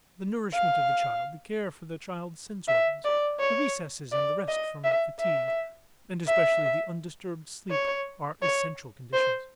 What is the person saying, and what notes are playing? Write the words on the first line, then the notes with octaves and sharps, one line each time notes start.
The nourishment of the child, the care for the child's sense organs, the recesses and the rest from fatigue, and especially the undisturbed sleep are essential conditions.
F5
E5
D5
C#5
D5
D#5
E5
E5
E5
C#5
C#5
C5